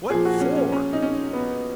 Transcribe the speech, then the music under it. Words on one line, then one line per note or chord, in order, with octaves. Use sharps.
"What FOR?"
A#2 F3 G#4
F#4
C#4
C#4
C#4
D#4
C#4
B3